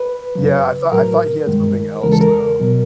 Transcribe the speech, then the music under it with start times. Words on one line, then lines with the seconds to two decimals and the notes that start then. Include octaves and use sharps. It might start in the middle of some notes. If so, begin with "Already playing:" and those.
Yeah, I thought I thought he had something else though.
Already playing: B4
0.35 F#2 C#3 F#3
0.92 A2 F#3 A#4
1.47 G2 D#3 G#3
2.03 D#2 C#3 E3 G#3 A#4
2.12 A4
2.21 A#4
2.60 B2 F#3